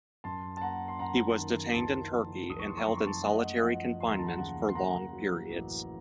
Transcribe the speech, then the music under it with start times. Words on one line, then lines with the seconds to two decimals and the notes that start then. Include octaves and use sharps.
He was detained in Turkey and held in solitary confinement for long periods.
0.24 F#2 A5 C6
0.57 A5
0.61 A#3 F#5 A#5
0.88 C6
0.99 F#2 F#5 A#5
1.37 D#3
1.74 F#1 A5 C6
2.12 F3
2.49 F#1 D#6
2.59 C#6
2.68 C6
2.77 A#5 C#6
2.88 F#2 C6
2.97 C#6
3.06 A5 C6
3.25 A3 D#5 F#5
3.63 F3 D#5 F#5
4.00 D#2 C6
4.09 A#5
4.19 A5
4.27 F#5 A#5
4.38 C#3 F#5 A#5
4.69 C6
4.75 A#3 F#5 A#5
5.13 F#3
5.50 A1